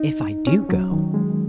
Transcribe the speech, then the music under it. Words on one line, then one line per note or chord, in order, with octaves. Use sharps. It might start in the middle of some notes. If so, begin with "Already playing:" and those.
"If I do go."
Already playing: D#4
C#4
F#3
D#3
G#3